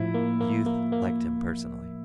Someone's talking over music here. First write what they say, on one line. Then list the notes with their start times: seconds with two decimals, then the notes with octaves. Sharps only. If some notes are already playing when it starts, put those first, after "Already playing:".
The youth liked him personally.
Already playing: A2 F3 E4
0.14 A#3
0.40 A#3
0.66 A#3
0.92 A#3